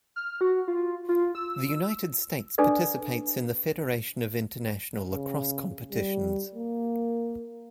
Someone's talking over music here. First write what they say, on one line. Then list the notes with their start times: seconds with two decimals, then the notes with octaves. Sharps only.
The United States participates in the Federation of International Lacrosse competitions.
0.16 F6
0.41 F#4
0.68 F4
1.09 F4
1.35 E6
2.58 D4 G#4 A4 B4 D5
5.10 C#3
5.92 G3
6.55 A#3